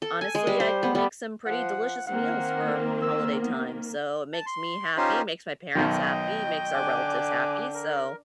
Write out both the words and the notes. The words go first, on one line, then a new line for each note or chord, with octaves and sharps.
honestly, I can make some pretty delicious meals for holiday time. So it makes me happy, makes my parents happy, makes our relatives happy. So,
A4
G#5
G#3
G3
C5
B3
G3
F3 F#5
D#3 A#3 C4 F#5
E6
B3
A5
C6
C#4 D#4 F4 G4 C5
B1 F#2 D#3 D#5 G5
D3 G#5 D6 F#6
A#4